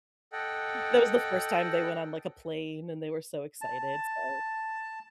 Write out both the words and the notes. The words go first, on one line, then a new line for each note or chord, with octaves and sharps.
that was the first time they went on, like, a plane and they were so excited, so
A4 D#5 F#5 G5
A5